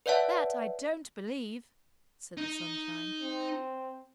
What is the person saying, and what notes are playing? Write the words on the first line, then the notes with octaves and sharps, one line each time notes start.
"That I don't believe," said the Sunshine.
B4 C#5 D5 E5 F#5 A5
D#4
C4